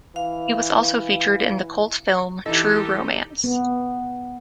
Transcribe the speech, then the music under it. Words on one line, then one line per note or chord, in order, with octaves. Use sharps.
He was also featured in the cult film "True Romance".
E3 F5
E3 D#4 G4 A4 D#5 E5
B3